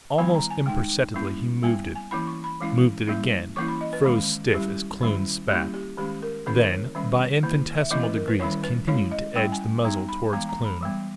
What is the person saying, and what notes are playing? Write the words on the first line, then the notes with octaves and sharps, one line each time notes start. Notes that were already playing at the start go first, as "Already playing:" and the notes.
Almost imperceptibly he moved it, moved it again, froze stiff as Kloon spat, then, by infinitesimal degrees, continued to edge the muzzle toward Kloon.
D#3 G3 B3 E4 G#5
A#5
G#5
G#3 D#4 G5
G3 A#3 C#4 E4
G3 B3 E4 G#5
G#5
E3 A#3 C#4 E4 B5
C#6
B5
E3 G#3 C#4 E4
G3 A#3 C#4 E4
E3 A#3 C#4 E4 C#6
B5
D#5
B4
D#3 G#3 C#4
G3 C#4 E4 G4
D#3 G3 C#4 E4
G3 A#3 C#4 E4 G4
G4
D#3 G#3 C#4 G4
A#4
D#3 A#3 C#4 E4 G#4
A#4
C#5
D#3 G3 C#4
D#3 A#3 E4
E5
E3 A#3 C#4 E4 D#5
B4
A#4
B4
D#3 G3 C#4 E4 C#5
B4
G#3 C#4 E4 C#5
D#5
G3 C#4 E4 G5
G#5
G3 B3 D#4 A#5
B5
E3 G#3 B3 A#5
A#5
B5
E3 G3 B3